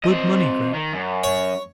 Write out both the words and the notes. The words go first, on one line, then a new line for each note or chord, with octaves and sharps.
Good money, Gregg.
C4 D#5
D#3
F#2
C#5